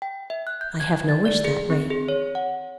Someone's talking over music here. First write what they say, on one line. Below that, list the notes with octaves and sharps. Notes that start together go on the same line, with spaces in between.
I have no wish that way.
G5
E5
F#6
G6
G#6
A6
D5
G#4
C4
G#4
C#5
F#5